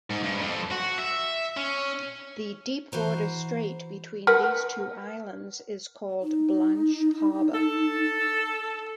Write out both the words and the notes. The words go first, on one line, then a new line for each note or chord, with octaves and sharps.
The deep water strait between these two islands is called Blanche Harbor.
G#2
G2
F2
F#4
E5
C#4
E3 F#4 C5 A#5
A#4 B4 F#5
D#4
A4